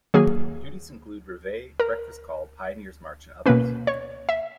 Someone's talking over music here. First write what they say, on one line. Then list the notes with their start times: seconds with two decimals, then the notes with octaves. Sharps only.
Duties include reveille, breakfast call, pioneer's march and others.
0.14 D#3 F#3 A#3 G#4
1.80 A#4
3.46 B2 A#3 C#4 B4
3.87 C#5
4.29 E5